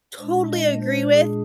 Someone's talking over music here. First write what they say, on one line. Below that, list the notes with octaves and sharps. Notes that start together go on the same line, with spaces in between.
totally agree with,
A#2 G#3 D4
D#5
C5
G#4